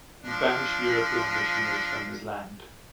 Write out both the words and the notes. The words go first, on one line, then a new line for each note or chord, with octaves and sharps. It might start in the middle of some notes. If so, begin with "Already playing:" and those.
He banished European missionaries from his land.
F3 D4